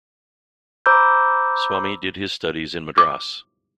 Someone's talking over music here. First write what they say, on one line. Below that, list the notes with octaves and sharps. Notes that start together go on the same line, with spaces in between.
Swamy did his studies in Madras.
C5 A#5 B5 D6 E6 G6
D6